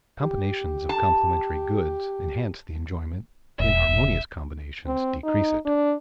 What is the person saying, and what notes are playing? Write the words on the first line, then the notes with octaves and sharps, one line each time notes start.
Combinations of complementary goods enhance the enjoyment; inharmonious combinations decrease it.
G4
A5
E1 E5
E1
C4
D#4
D4